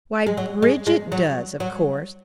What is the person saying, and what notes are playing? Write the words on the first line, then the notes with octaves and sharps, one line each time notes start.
"Why, Bridget does, of course."
G#3
F#3
G#3
G#3
F#3
F#3